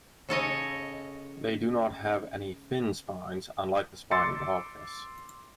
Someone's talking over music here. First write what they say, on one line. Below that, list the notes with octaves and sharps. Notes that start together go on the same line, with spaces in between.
They do not have any fin spines, unlike the Spiny dogfish.
C#3 A4 C#5 D#5
C6 D6 E6 A6 C7 C#7